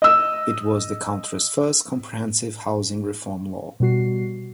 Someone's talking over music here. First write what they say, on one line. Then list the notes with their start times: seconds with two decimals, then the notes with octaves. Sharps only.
It was the country's first comprehensive housing reform law.
0.02 D#5 E6
3.80 B2 G3 F#4 C7